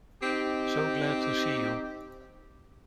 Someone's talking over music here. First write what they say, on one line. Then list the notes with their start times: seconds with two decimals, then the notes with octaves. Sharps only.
So glad to see you.
0.23 C4 D#4 G4